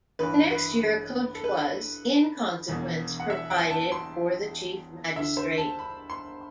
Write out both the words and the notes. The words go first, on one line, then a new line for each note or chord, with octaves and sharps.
The next year a coach was, in consequence, provided for the chief magistrate.
A1 G2 E3 B4
B4
A4
B4
E1 E2 B2
F#5
E5
G5
A5
C6
D2 D3 E5
C5
A5
B5
C6